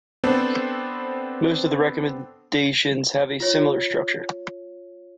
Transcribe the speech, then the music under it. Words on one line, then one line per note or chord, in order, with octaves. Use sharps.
Most of the recommendations have a similar structure.
B3 C4 D4 A4 C5
F4 C#5